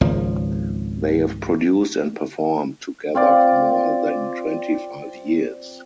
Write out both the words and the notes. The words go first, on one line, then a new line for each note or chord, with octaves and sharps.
They have produced and performed together for more than twenty five years.
G#1 C#2 F3
C4 F4 D5